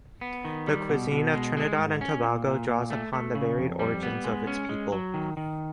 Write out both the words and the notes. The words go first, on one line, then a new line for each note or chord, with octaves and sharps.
The cuisine of Trinidad and Tobago draws upon the varied origins of its people.
B3
D#3
G3
B2
B2
G#3
G#3
G#2
C#4
A#2
A#2
A#2
A3
A3
C#3
F2
G3
B3
G#3
C#4
G#3
F#3
D#3
D#3